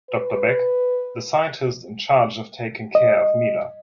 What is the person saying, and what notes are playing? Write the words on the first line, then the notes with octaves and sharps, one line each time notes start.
Doctor Beck: The scientist in charge of taking care of Mila.
B4
D#5